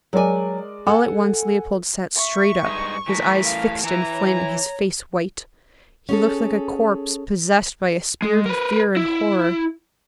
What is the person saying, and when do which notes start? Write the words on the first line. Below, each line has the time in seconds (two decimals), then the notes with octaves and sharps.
All at once Leopold sat straight up, his eyes fixed and flaming, his face white: he looked like a corpse possessed by a spirit of fear and horror.
0.13 F#3 G#3 A#4 D5 G#5
0.87 A4 F#5 G#5
2.16 E5 C#6
2.66 G2 G#3 D#4
3.08 E3 A3 A#4 B6
3.44 F5
3.83 E3 E4 A#5
4.12 C#5
6.09 C#4 G#4 A4
8.22 G#3
8.46 A#4 B4
8.97 E4